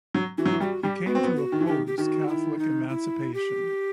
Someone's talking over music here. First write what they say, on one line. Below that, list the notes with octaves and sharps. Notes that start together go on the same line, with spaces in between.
He came to oppose Catholic emancipation.
F#3
E3 F#4
F#3
E3
G3 F#4
G3 G4
B3 F#4
C4
B3
F#4
D#3
E3
D#3 G4
G4
D#3 F#4 G4
E4
D#4
E4
G4